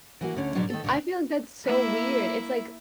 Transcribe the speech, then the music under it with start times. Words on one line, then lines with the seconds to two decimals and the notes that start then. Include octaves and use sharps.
And I feel like that's so weird. It's like
0.21 E3 A#3 F#4
0.35 D2 D3 C#4
0.55 G#2 B2 D3 F3 F#3 D4
0.70 D#3 A4
0.84 D2 G#2 B2 D3
1.65 A#3 E4 E5